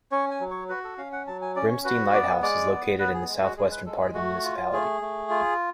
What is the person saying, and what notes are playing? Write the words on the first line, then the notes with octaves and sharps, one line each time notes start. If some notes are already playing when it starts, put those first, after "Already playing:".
Bremstein Lighthouse is located in the southwestern part of the municipality.
C#4 C#5
G#5
F#3
C#5
F#4 B4
A4
C#4 F5
F#5
F#3 A5
G#5
C#4 D5
C#5
F#4 B4
B3 D5
G#3 D5
B3
B3 B4
G#4
G#3
F#4
G#3 G#4
B4
G#3 A4
G#4
A3 F#4
F4
A3 G#4
A3
F4